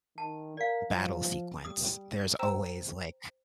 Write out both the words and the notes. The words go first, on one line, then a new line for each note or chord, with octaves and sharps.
battle sequence, there's always, like,
D#3 A5
A#4 D5 F5
F3
G3 D#6
C5 G5 A#5 E6 E7